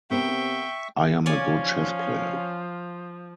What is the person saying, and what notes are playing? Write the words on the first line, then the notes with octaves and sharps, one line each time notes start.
I am a good chess player.
C3 B3 A#4 C5 E5 G5 C#6
F3 C#4 C#5 D5 F5 G#5